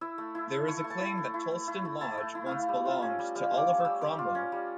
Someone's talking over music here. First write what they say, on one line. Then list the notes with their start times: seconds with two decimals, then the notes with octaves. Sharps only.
There is a claim that Toulston Lodge once belonged to Oliver Cromwell.
0.01 E4 E5
0.18 A3
0.35 E4
0.51 A3
0.68 E4 C#6
0.84 A3
0.90 A5
1.01 E4
1.17 A3
1.34 E4
1.51 A3
1.68 E4
1.85 A3
2.01 E4 A5
2.17 A3
2.35 E4
2.46 A3 F5
2.69 G3
2.85 F4
3.02 C#4
3.19 G3
3.35 G3 F5
3.51 F4
3.57 D6
3.68 C#4
3.80 G3 E6
4.01 G3 D6
4.19 F4
4.35 C#4
4.52 G3